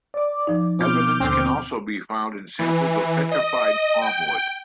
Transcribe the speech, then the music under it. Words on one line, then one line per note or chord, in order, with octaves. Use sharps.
Evidence can also be found in samples of petrified palmwood.
D5 D6
F3 D#4
B2 B3 C4 F4 D6 F6 G6
D#2 D3 C4
E3
D#5
G5